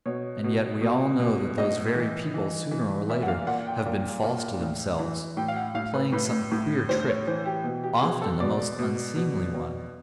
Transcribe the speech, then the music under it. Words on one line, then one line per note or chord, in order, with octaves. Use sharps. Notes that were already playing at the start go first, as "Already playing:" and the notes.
And yet we all know that those very people sooner or later have been false to themselves, playing some queer trick, often a most unseemly one.
B2 C#5
B2
B2
B2
A2 D#5
E3
E3
E3
A#2 E5
F#5
F5
A#2 F#5
G5
A#2
A#2
A2
E3
A2 G5
F5
F#5
A2 F5
B4
A2 B4
A2
A2 C5
C#5
E3 C5
G4
B2
G4
B2 G#4
A4
B2 D5
B2
B2
B2